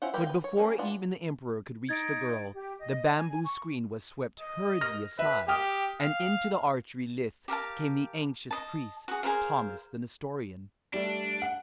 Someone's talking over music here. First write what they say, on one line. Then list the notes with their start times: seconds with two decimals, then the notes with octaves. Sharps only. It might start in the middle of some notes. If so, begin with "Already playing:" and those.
But before even the emperor could reach the girl, the bamboo screen was swept hurriedly aside, and into the archery lists came the anxious priest, Thomas the Nestorian.
0.02 C#4 E4 F4 C5 F#5
0.14 A#3 E4 F4 G4 B4
0.27 B4 G5
0.44 C#5
0.57 G3 A3 A#3 C#4
0.78 E3 B3 D4 F4
1.89 D#4 G#6 A6 D7
2.54 G4
2.79 D#5
3.17 G#5
3.44 C#6
4.40 D#5
4.81 F6 A#6
5.19 B4 E5
5.48 G4 G5 D#6 F6
6.01 F5
7.48 G4 A#4 F5 A5
8.51 D#5 A5
9.08 F#4 G#4
9.23 G#4 A#4 C5 F5
10.94 G3 A3 D4
11.42 F#5